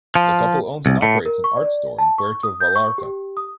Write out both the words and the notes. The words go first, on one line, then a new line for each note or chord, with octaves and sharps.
The couple owns and operates an art store in Puerto Vallarta.
F3
C2
A2
A#4
C#6
D5
A5
C#6
D#6
G6
C#6
G4
D#6